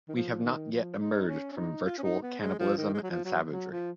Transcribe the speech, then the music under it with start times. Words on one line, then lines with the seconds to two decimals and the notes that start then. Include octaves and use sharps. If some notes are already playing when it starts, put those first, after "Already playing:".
We have not yet emerged from virtual cannibalism and savagery.
0.08 D#3
0.15 F3
0.43 D#3
0.72 F3
1.00 D#4
1.28 C#4
1.52 C#4
1.56 D#4
1.85 F4
1.98 C#4
2.03 D#4
2.22 B3
2.40 G#3
2.59 F3
2.78 D#3
2.94 G#3
3.03 F#3
3.10 F3
3.25 F#3
3.52 F#3
3.71 F3